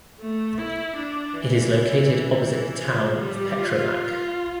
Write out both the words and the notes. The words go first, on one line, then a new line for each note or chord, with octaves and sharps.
It is located opposite the town of Petrovac.
A3
E4
D4
E3
E3
F3
G3
F4